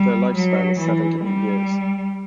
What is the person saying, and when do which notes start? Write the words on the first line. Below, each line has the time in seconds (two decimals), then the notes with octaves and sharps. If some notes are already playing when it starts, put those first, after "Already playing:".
Their lifespan is seven to eight years.
Already playing: G3
0.36 F#3
0.80 E3
1.24 G3